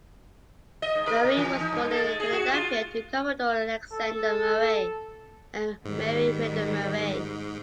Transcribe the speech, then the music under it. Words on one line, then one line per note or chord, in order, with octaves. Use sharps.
Murray was born in Philadelphia, to Commodore Alexander Murray and Mary Miller Murray.
D#5
G#2
A#4
B2
E3
D#4
G2
A4
G#3
G#4
F#4
F4
A4
G#2 D#3 G3